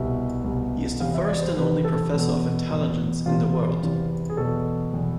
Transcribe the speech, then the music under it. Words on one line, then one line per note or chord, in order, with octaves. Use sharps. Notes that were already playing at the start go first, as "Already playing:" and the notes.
He is the first and only Professor of Intelligence in the world.
Already playing: C2 B2 E5
C2 B2
E2 C3 E3 F5
E5
D5
C5
E2 C3 E3 B4
A4
E2 B2
E2 B2
E2 C3 E3 F4
E2 C3 E3
G#4
E2 B2 A4
E2 B2